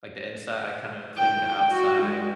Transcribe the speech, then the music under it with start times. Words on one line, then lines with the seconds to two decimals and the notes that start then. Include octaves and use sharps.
like the inside. I kinda clean the outside,
1.18 G5
1.72 F#4
2.03 G#3